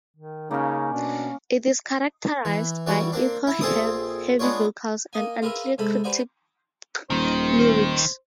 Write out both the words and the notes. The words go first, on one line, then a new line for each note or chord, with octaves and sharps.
It is characterized by echo-heavy vocals and unclear cryptic lyrics.
D#3
C#3 A#3 C#4 D#4
B2 D4
E3
E3 G3 F#4 D5
A#3 C4 D4
E4
A#1 C4 G#4 A4 C5 D#6
G#3 B3 D4 F4 C#5
A#3 D#5 G#5
F4 G#4 A#4 B4 E5
C3 G#3 A4 A5 B5
G4 B4 C5 D5 F#5 G#5
D#1 D#3 C5